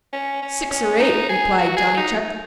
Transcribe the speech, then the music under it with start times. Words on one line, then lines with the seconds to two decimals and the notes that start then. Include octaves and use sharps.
"Six or eight," replied Johnny Chuck.
0.13 C#4
0.42 C#4
0.70 C#4
1.00 D#4
1.29 G#4
1.58 F#4
1.77 G#4
1.97 D#4